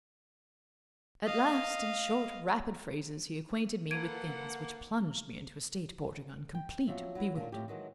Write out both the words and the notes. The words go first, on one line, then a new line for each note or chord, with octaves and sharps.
At last, in short rapid phrases, he acquainted me with things which plunged me into a state bordering on complete bewilderment.
D#5 F5
A#3 A4 B4 F#5 G#6 D7 D#7
G5
F3 F#3 E5
F#3 B3 E4
A#2 A#3 C#4 D4
F2 A2 A3 G4
D#3 E3 F#3 G#3